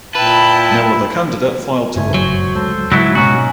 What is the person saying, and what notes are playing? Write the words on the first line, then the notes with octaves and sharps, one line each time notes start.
No other candidate filed to run.
A#2 E4 B4 G5 A5
G2 C#3 A3 B3 G#5
F#1 G2 A#2 F#3 C5 C#5
D2 G#3 A4 C5
G#2 C#3 F#3 E4
B2 A#3 B3 C#4 D#4 F#4